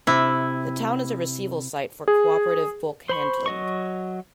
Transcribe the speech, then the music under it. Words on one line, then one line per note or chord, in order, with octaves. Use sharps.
The town is a receival site for Cooperative Bulk Handling.
C3 E4
G#4
C5 B5 C#6
F#3 D#5 C#6